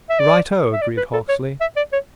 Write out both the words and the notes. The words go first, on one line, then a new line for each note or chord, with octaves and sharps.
"Right-o!" agreed Hawksley.
E5
D5
E5
D5
B4
A4
C#5
E5
D5
C#5